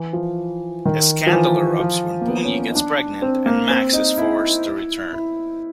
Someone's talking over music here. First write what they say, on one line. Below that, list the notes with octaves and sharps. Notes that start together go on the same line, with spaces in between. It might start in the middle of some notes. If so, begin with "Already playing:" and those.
A scandal erupts when Boonyi gets pregnant and Max is forced to return.
Already playing: E3
F3
D#3
F3
E3
F3
A#3
B3
C#4
C#4
D#4
D4
C4
A#3
C4
D#4
E4
E4